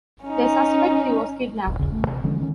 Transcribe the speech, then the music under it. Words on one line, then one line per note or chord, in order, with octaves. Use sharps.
They suspect he was kidnapped.
C#4 D#4
E1 A#1
E1 A#1 D#2 C#3
A1 A3
C3
D3 F3 G#3 C#4
D3 D#3 C#4